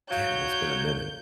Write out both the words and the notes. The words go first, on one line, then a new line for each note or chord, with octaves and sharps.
Yeah, it's been a minute.
F#3 C#5 F5 G6